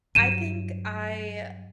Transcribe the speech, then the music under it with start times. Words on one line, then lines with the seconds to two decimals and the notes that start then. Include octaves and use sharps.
I think I
0.15 G2 F#3 D#7 E7